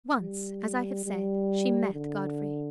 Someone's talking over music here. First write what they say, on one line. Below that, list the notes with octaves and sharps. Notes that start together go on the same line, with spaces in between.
Once, as I have said, she met Godfrey.
G3
G3
D3